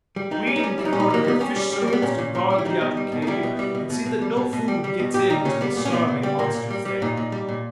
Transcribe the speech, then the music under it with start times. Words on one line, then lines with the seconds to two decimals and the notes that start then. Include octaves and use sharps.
The Queen can order her fish-servants to guard the outer cave and see that no food gets in to the starving monsters there.
0.16 G3
0.31 G3 D#4
0.47 G3 C#4
0.56 D#4
0.63 G3 C#4
0.78 G3 E4
0.85 D#4
0.93 A#2 C#4
1.00 D#4
1.10 G3 A#3
1.25 G3 B3
1.40 G3 C#4
1.56 G3
1.72 G3
1.82 A#3
1.88 G3
1.93 B3
2.02 A#2 C#4
2.19 A#2
2.35 A#2
2.50 G3
2.58 E4
2.65 G3 D#4
2.81 B2
2.97 G3
3.12 B2
3.22 D#4
3.27 G3 E4
3.43 B2
3.59 G3
3.75 B2
3.90 B2
4.06 B2
4.22 G3
4.37 B2
4.53 B2
4.68 G3
4.84 G3
4.99 B2
5.14 A#2 G4
5.30 G3 D#4
5.45 A#2 C#4
5.61 G3 B3
5.77 A#2 B3
5.85 C#4
5.92 A#2 B3
6.08 A#2
6.23 G3
6.39 A#2 A#3
6.55 A#2
6.70 G3
6.85 G3
7.02 A#2 D#4
7.17 A#2
7.32 G3
7.49 A#2